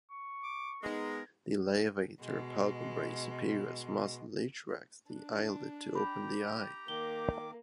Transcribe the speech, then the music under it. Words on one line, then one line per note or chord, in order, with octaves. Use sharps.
The levator palpebrae superioris muscle retracts the eyelid to "open" the eye.
C#6
D6
G#3 B3 D#4 A#4
B2 G#3
D4
G4 G5 A#5 B5
D#3 A#3 D6 G7